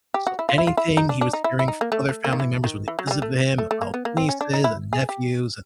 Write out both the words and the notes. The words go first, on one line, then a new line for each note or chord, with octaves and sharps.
so anything he was hearing from other family members when they visited him about nieces and nephews and
G4
F#4
E4
F4
E4
F4
E4
D#4
D4
D4
D#4
E4
E4
D#4
A#3
A3
A3
A#3
D#3
E3
D#3
E3
F#3
G#3
G3
A3
A3
A3
A#3
B3
A#3
C4
C#4
D4
D#4
E4
G#4
G4